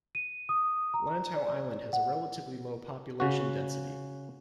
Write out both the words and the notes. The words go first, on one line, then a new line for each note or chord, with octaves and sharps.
Lantau Island has a relatively low population density.
D#7
D#6
A#5
D5
F#5
C#3 F#4